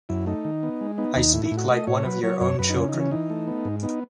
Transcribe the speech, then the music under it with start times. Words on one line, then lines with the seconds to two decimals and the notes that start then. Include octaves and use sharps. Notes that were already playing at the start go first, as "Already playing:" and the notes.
I speak like one of your own children.
0.09 F#2 E4
0.26 A3 D#4
0.45 D#3
0.63 B3
0.81 G#3
0.98 B3 D#4
1.16 D#2 D#4
1.33 A2 E4
1.45 E4
1.51 A2
1.57 F#4
1.69 A3 D#5
1.87 A2 C#5
2.05 F#3 B4
2.23 F#3 C#5
2.40 F#2 C#5
2.59 F#2 B4
2.69 D#4
2.76 C#3 C#4
2.88 D#4
2.94 E3
3.00 C#4
3.11 E3 D#4
3.30 A3
3.47 B3
3.65 G#2
3.83 B3 D#4